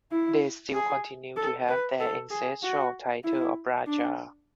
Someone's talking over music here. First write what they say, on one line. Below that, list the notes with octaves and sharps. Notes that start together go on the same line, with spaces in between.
They still continued to have their ancestral title of Raja.
E4
G#4
A4
B4
A4
G#4
F#4
E4
D4